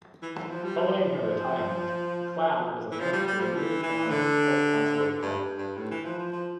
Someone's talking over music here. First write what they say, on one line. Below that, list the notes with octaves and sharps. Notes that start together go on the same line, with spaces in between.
Following her retirement, McLeod was appointed to the newly founded Health Council of Canada.
E3
E3
F3
G3
F3
E3
F3
G3
G3
F3
E3
E3
D3
G2
G2
A2
E3
F3
F3
F3